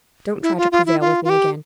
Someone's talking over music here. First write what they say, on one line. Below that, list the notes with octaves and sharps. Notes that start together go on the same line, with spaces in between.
Don't try to prevail with me again.
E4
F4
F4
E4
F4
F4
G4